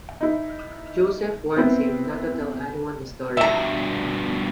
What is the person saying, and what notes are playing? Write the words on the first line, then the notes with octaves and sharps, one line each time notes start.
Josef warns him not to tell anyone the story.
D#4 E4
B3 C4 E4
G2 B2 E5 A#5